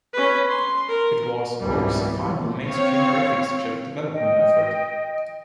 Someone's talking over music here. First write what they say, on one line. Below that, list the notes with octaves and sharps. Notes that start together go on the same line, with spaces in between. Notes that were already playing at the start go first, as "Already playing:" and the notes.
It was Oak's final mainstream graphics chip development effort.
C#4 B4
C6
A#4
G#1 C#2 F#2 B2 E3 G3
C4 C#5 F5
D#5 G5